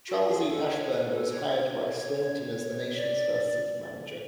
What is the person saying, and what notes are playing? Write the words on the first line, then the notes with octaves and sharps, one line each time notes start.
Charles E. Ashburner was hired by Staunton as the nation's first city manager.
F#4
G#4
A4
C#5
B4
A4
C#5
C#5
D5